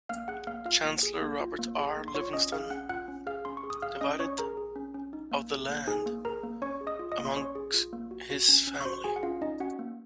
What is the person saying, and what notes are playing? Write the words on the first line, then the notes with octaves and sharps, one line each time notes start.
Chancellor Robert R. Livingston divided of the land among his family.
A#3 F5 F6
G#4 F#5 F#6
A#3 F5 F6
F4 F5 F6
A#3
G#4
A#3
F4
A#3
G#4
A#3
C6
F4 C#5 C#6
C#4 D#5 D#6
G#4 F5 F6
C#4 F#5 F#6
F4 F#5 F#6
C#4
G#4 F5 F6
C#4 C6
C#6
G#4
D#6
G#4 F5 F6
C#4 D#5 D#6
C#4 C#5 C#6
G#4 A#4 A#5
G#4
C#4
C#4
D#4
A#3
G#4
A#3
D#4 G#4 G#5
A#3
G#4 A#4 A#5
A#3
C#4 C#5 C#6
G#4
D#5 D#6
F4
D#5 D#6
A#3
C6
C#4 C#5 C#6
G#4
F4
A#3
F#4
F#4
C#4
C#4
C#6
F#4 C5 C6
F#4 G#4 G#5
F#5
C#4 F4 F5
C#4 D#4 D#5
C#4 F#4 F#5
A#3